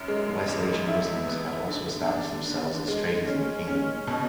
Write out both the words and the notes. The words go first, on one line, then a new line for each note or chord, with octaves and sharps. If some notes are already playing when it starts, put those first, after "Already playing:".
The West Asian Muslims had also established themselves as traders in the kingdom.
Already playing: F#2
G#3
E2
E4
B3
D3
D4
D3
G#3
C#4
C#4
B2